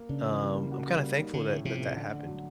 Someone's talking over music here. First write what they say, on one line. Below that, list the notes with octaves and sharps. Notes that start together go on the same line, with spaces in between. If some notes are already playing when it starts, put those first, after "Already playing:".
um, I'm kinda thankful that that, that happened
Already playing: A#3
C#3 D4
E3
G3
A#3
F#4
G3
A#3
D#4
D3 C#4
A2
C3 F3
A3
D3
D3
F#3